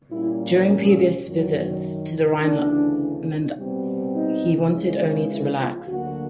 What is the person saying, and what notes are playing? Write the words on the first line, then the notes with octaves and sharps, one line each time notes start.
During previous visits to the Rhineland he wanted only to relax.
A#2 G3 A#3 C#4 E4
C#4
F#2 D#3 F#3
D2 C#3 E3 D4
B2 G3 C4
D#4
C#3 E3 G#3
E4
F4
D2 D3 F#3 A#3 F#4